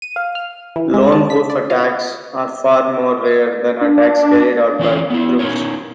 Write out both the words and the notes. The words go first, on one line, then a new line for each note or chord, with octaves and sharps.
Lone wolf attacks are far more rare than attacks carried out by groups.
D#7
F5
F6
E3
G#3
A5
B6
D5
F4
D4
E3 C#4 F4 F5
B3 E4
C#4 D#4 G#4 A#4 C#5